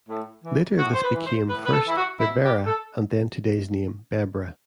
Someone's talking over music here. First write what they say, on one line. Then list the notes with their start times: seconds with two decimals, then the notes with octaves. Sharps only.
Later this became first "Bibera", and then today's name Bebra.
0.09 A2
0.44 E3
0.78 A2 F#4
0.94 C5
1.03 B4
1.14 E3
1.25 C5
1.49 A2 B4
1.65 B4
1.72 A4
1.85 E3 E4
1.96 F#4
2.20 B2 E4
2.44 G4
2.66 A4